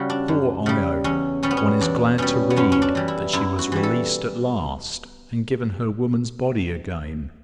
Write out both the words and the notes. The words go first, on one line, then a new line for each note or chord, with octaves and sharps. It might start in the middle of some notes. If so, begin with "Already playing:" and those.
Poor Io! one is glad to read that she was released at last, and given her woman's body again.
Already playing: C#3 G3 F#4
D4
F#2
C#3 G3
E2 C#4
B2 G3 C#4
B3
C#4
E2 D4
B2 G3 C#4
B3
F#2 C#4
C#4
D4
E3 G3
E4
F#2 E4
F#4
E3 G3
A4